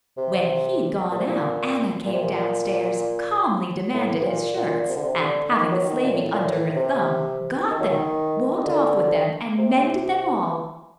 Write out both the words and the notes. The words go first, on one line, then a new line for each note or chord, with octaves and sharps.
When he'd gone out, Anna came downstairs, calmly demanded his shirts, and, having the slavey under her thumb, got them, walked off with them, and mended them all.
C3
A#2
C3
A#2
A#2
C3
A#2
A2
C3
A#2
A#2
C3
D3
C3
D3
D#3
F#3
D#3
A#2
A2
A#2
A2
C3
D#3
F#3
D#3
D#3
D3
C3